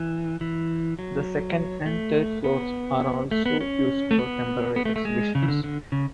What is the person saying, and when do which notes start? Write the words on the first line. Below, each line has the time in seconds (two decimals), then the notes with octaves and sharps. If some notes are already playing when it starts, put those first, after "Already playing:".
The second and third floors are also used for temporary exhibitions.
Already playing: E3
0.41 E3
0.99 F#3
1.86 A3
2.44 B3
3.31 A3
3.46 B3
3.61 C#4
4.11 A3
4.19 B3
4.76 B3
4.85 A3
4.96 A3
5.05 G#3
5.35 C#3
5.43 E3
5.48 D3
5.64 D3
5.92 C#3